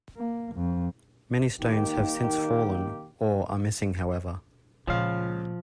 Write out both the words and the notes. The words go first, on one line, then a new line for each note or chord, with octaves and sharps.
Many stones have since fallen or are missing however.
A#3
F2
D#3 A#3 G4
C#2 A#2 F3 F5